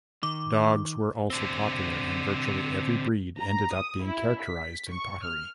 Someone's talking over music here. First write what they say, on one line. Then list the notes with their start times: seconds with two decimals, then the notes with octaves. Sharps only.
Dogs were also popular and virtually every breed ended-up being characterised in pottery.
0.23 D#3 D6
1.30 D3 C4
3.37 A#5
3.74 D#6
4.03 E4
4.42 B6
4.90 C#6
5.24 F6